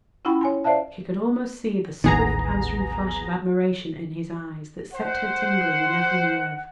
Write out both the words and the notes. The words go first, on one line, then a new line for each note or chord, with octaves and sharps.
She could almost see the swift answering flash of admiration in his eyes that set her tingling in every nerve.
C#4 E4 F4 F#5 G5 B5
C#5 G#5 C6
C5 D5 E5 F5 A5
D#1 A1 D#3 B3 G#4 A#5
C5 F#5